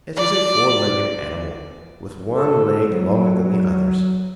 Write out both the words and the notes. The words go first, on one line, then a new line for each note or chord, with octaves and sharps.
It is a four-legged animal, with one leg longer than the others.
D5
A4
F#3